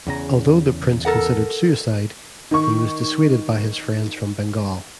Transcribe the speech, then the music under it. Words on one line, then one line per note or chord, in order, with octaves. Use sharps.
Although the prince considered suicide, he was dissuaded by his friends from Bengal.
E2 C#3 A#5
A4 A#4 F#5
D#3 C#6